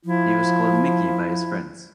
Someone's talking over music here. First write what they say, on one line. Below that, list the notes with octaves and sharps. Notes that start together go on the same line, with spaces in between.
He was called Mickey by his friends.
F3 E4